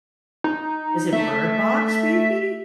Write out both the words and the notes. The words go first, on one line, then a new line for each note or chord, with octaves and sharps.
Is it Bird Box maybe?
D#4
A3 E5